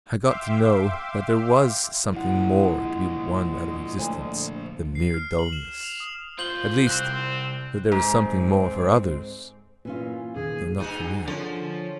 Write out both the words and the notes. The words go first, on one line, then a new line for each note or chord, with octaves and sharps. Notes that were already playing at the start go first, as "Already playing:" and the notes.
I got to know that there was something more to be won out of existence than mere dulness; at least, that there was something more for others, though not for me.
E5 F5 G5 C6 D6
A#2 F3 G#3 E4 F#5
D2
C7
F6
F#7
E7
F7
D#6
F#2 F4 C5 G6 F#7 G7
C2 C4 F#6
G#2 C4
A#2 E3 C#4 F4
E2 A#2 D#3 G#4
G2 D#4 F#4 G#4
D3 F3 C#4